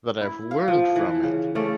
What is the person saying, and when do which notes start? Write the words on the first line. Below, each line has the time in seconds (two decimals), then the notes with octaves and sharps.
that I've learned from it,
0.21 E4
0.51 F5
0.68 F3
0.96 E3
1.23 C#3
1.55 C#3 A3 C#4 D5